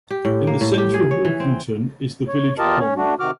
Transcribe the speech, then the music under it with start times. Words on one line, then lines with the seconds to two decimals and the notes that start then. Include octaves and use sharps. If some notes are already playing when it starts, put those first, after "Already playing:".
In the centre of Walkington is the village pond.
0.11 G4
0.25 A2
0.47 A#3
0.61 A2
0.78 G4
0.94 G#4
1.11 C#5
1.25 E3
1.40 C4
2.28 C#5
2.58 E2 F4 G4 A#4 D#5 A5
2.79 C#4 C#5
2.96 A3 D4 F#4
3.20 C3 D#3 F#4 D6 F6